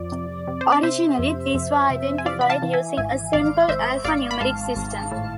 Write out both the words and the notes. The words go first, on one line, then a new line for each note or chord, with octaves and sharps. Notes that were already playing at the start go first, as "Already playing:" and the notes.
Originally, these were identified using a simple alphanumeric system.
Already playing: F2 F3 D5
C3
C3
C5
D5
C3 C5 E5
F2
F2
C3
G#5
E3 D5 F5
B5
F5 A5
E3
E5 G#5
G#1 E5 G#5
G#1 D5 F5
G#1 C5 E5
G#1 D5 F5
B5
G#2 F5 A5
G#1
A2